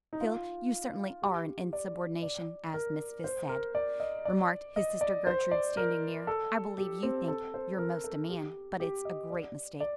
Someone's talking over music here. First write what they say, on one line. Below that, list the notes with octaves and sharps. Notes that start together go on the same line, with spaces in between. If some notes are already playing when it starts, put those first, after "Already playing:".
"Phil, you certainly are an insubordination, as Miss Fisk said," remarked his sister Gertrude, standing near, "I believe you think you're 'most a man, but it's a great mistake."
D#4
F4
G4
D5
D5
A#4
C5
A#4
D5
D#5
D5
D#5
D5
C5
D5
A#4
A4
G4
C4
A4
C5
A#4
A4
G4
G4
D#5
D5
D5